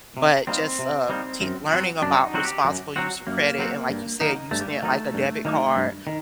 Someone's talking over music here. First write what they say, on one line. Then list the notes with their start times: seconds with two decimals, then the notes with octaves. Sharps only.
but just, uh, te keep learning about responsible use of credit and like you said, using it like a debit card
0.17 C3
0.47 G3 A#3 C4 D#4
0.79 C3
1.09 G3 A#3 D#4
1.41 F#2
1.71 F#3 C4 F#4
2.02 F#2 D4
2.14 F#4
2.23 D#4
2.34 F#3 C4 F#4
2.45 G4
2.65 F#2
2.96 F#3 C4 F#4
3.27 F#2 A#3
3.58 F#3 C4 F#4
3.90 G2
4.20 D#3 F#3 A#3 D#4
4.51 G2 A3
4.61 G3
4.70 A3
4.82 D#3 F#3 A#3 D#4
5.14 G2
5.45 D#3 F#3 A#3 D#4
5.76 G2
6.07 D#3